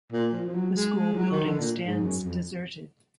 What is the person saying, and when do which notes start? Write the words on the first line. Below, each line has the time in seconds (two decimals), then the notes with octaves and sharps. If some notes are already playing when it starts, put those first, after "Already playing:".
The school building stands deserted.
0.12 A#2
0.33 F3
0.46 F3
0.54 F#3
0.75 G#3
0.96 G#3
1.14 F3
1.18 F#3
1.31 D#3
1.45 D3
1.59 A#2
1.87 G#2
2.01 F#2
2.22 F2